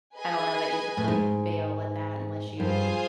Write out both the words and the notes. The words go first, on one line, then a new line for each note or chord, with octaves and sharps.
I don't know that you could really fail at that unless you
G#4 B4 D#5 G#5
A2
G#2
G2 F4 G#4 C5 F5 G#5